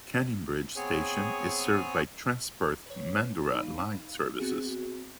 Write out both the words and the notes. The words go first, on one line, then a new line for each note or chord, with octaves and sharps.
Canning Bridge station is served by Transperth Mandurah line services.
B3 C4 G#4 C#5 G#5
B4 C#5
D#4 F5 B5
B3 C4 F#4 G#4